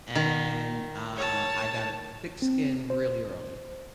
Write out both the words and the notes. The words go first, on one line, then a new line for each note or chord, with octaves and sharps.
and, ah, I got a thick skin really early,
D#3
C#5 A5
C4
C5